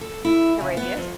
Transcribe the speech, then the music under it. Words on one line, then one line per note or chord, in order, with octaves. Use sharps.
The radius.
A4
E4
C#3
B3
F2